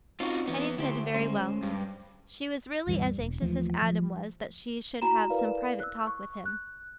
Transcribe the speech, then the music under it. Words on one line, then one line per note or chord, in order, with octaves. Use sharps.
Hetty said, "Very well." She was really as anxious as Adam was that she should have some private talk with him.
C4 C#4 D#4 F4 F#4
E2 B3
D2 E4 G4 C5
G#3 C#4 C5
G2
D2 G2 E3 G3
E1
D#2 E3 F3 A3
F3 A3
E4 F#4 G#5 A#5 B5 E7
E4 A#4 B4 D5 F5
E6 F#6
C#6
F#6